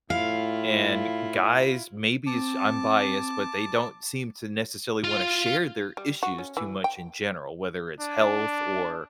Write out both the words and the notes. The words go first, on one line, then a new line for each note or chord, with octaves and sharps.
And guys, maybe it's j I'm biased, but they don't seem to necessarily wanna share their issues too much in general, whether it's health or,
A2 E4 F4 F5
C4 A5 D6
F4 F5
G3
F#4
C#4
E3
G5
D4